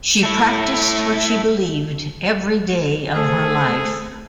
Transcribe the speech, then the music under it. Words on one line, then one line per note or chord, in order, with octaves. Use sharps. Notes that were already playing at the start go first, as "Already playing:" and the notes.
She practised what she believed every day of her life.
A3 E4
A3 G#4 A4 C5 A5